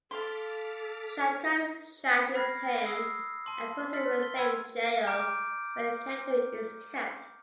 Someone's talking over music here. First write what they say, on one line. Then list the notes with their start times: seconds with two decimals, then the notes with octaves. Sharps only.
Shankar thrashes him and puts him in the same jail where Katari is kept.
0.11 A4 F5 C6 D6 F6 B6
2.35 B5 F6 F#6 G#6 A#6 C7
2.86 D#6 E6 C7
3.46 A5 C6
3.93 C6 F6 A6 B6
4.19 A6 G7
4.36 B5 E6 G#6
5.07 A#5 D6 F6 G6 D7